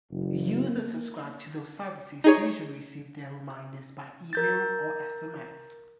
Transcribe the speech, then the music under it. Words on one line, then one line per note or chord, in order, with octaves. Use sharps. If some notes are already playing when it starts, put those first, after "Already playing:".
Users subscribed to those services usually receive their reminders by email or sms.
F#1
A#3
D#4 G#4 C#5
A#4 G6 A6